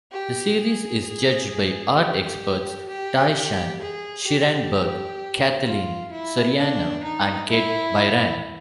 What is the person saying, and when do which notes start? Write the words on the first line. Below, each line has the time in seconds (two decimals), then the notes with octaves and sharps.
The series is judged by art experts Tai-Shan Schierenberg, Kathleen Soriano and Kate Bryan.
0.12 G4
0.58 G#4
1.04 G#4
1.96 G4
2.88 G4
3.81 G#4
4.27 G4
5.66 F4
6.11 E4
6.58 D4
7.04 D#4
7.50 E4